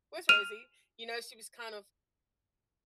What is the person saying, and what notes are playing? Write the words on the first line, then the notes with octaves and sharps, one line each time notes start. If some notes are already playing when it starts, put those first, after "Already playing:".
Where's Rosie?" You know, she was kind of,
F6 D#7 F7